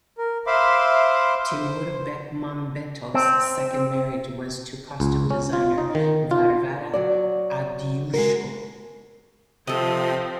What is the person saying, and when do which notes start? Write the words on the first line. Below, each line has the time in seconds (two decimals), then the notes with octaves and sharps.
Timur Bekmambetov's second marriage was to costume designer Varvara Avdyushko.
0.18 A#4
0.47 C5 E5 F5 B5 C6 D6
1.39 C5
3.14 C4
5.00 C#2
5.30 C#4
5.53 F4
5.78 D#4
5.95 D#3
6.31 F4
6.94 F#3 F#4 D5
8.14 G#3 F#4 A#4
9.67 C3 F3 C4 A4 D#5